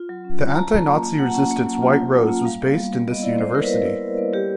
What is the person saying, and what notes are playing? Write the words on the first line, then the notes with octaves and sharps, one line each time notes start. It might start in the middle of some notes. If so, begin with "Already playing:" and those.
The anti-Nazi resistance White Rose was based in this university.
Already playing: F4
F#3
C#4
F#3
A5
F#3 A#5
F4
A#3
A#3
A#3 F#5
C#4
A#3
F#3
F4
F4
F4
A#3
G3 F5
B3
G3
G3
B3 D#5
E4 D5
B3 C5
E4 A#4
B4
E4 A#4
E4
G3
B3
G3 G4